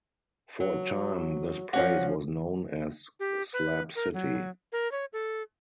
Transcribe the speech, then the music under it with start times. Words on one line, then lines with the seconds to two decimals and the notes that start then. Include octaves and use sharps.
For a time this place was known as "Slab City".
0.60 F#3
1.73 F3 C#4 F#4 D5
3.20 G4
3.53 B4
3.96 A#4
4.14 F#3
4.72 A#4
4.92 C#5
5.13 A4